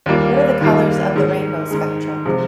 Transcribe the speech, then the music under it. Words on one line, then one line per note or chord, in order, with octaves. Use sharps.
What are the colours of the rainbow spectrum?
D#2 D#3 G3 A#3 F4
D#2 D#3 G3 A#3 F4
G#2 D#3 G#3
G#2 D#3 G#3
C3 F3 G#3